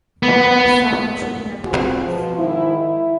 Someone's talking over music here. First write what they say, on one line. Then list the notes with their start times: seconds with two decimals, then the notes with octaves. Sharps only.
Why was someone shooting at the police?
0.23 B3
1.65 B3 C4 F4 F#4 G#4
2.05 B2 F3
2.37 G#2 D#3 E4
2.77 E4